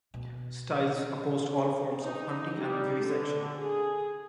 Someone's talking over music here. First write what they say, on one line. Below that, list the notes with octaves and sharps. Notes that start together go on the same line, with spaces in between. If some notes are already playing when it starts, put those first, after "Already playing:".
Styles opposed all forms of hunting and vivisection.
B2
D#4
G3
D3
G#4